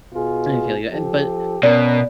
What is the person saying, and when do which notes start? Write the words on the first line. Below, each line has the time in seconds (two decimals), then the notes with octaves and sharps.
I feel you, and but,
0.12 B2 F4 G#4
0.90 F3 G4 A4
1.63 B2 C#4 A#4 D5